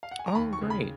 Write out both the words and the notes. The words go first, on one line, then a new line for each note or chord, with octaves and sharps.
Oh, great.
F5
F#5
G#5
A#5
D#2 B5
C#6
C#3
B5